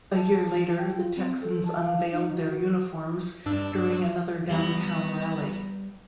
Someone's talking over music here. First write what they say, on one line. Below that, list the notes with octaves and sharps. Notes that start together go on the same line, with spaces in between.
A year later the Texans unveiled their uniforms during another downtown rally.
A5
G5
F4
C4
A4
A5
F5
D#4
F#4
F#4
G2 D4 E6
G3 B3 A#5